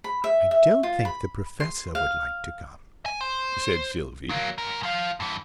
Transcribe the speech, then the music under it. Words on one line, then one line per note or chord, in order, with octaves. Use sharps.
"I don't think the Professor would like to come," said Sylvie.
B5
E5
E5
F4
B5
C6
F5
G#5
C5
F#3 A#3
G#2 A#4
F3 F5
G2 E3